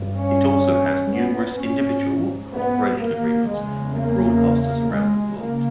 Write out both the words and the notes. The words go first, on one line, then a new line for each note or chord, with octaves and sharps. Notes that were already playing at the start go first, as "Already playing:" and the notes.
It also has numerous individual cooperation agreements with broadcasters around the world.
Already playing: G2
C#4
B3
G#2 C#4
B3
A#3
E2 C#3 G#3
A#3
G#3
C#3 A#3